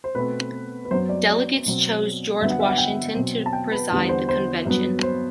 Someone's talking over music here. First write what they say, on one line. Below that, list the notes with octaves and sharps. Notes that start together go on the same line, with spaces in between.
Delegates chose George Washington to preside the Convention.
C5
B2 A3 C4 B4
B4
F#2 F#3 B3 C5
D5
D5
B2 F#3 C4
G2 D3 F#3 B3 E5
F#5
E5
F#5
G5
B2 F#3 C4
A5
G5
B4
E2 D3 G3 B3
C5
C5
G2 F#3 B3
C5